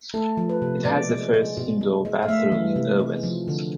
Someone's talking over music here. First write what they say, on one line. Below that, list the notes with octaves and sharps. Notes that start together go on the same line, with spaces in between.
It has the first indoor bathroom in Erwin.
A3 A4
F3
B4
C3
B2 D5
G#3
G#3
B2
G#3
G#3
F5
A3 E5
E3
C3
G#3
F3
D3